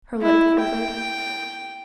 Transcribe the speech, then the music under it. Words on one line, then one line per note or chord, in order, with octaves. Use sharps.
Her lip quivered.
E4
G5